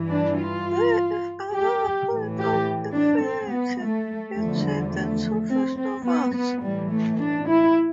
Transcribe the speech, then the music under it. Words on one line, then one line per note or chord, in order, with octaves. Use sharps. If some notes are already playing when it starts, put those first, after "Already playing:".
There is another point of affinity between the two festivals.
Already playing: G2 E3
D4
F4
G4
A2 E3
G4
D4
C4
B3
A3
E2 D3 F3 A3
G3
A3
C4
C4
B3
B3
A2 E3 G3
A3
D4
E4